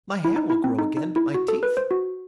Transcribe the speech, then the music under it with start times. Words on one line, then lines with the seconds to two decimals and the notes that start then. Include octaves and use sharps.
My hair will grow again, but my teeth!
0.25 E4
0.36 D#4
0.50 E4
0.64 C4
0.79 D#4
0.97 D#4
1.16 E4
1.34 F#4
1.48 A4
1.63 B4
1.77 C5
1.91 F#4